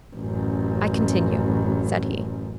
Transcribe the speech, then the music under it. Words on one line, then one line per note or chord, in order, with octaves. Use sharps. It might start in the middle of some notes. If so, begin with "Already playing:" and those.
"I continue," said he.
A1 F#2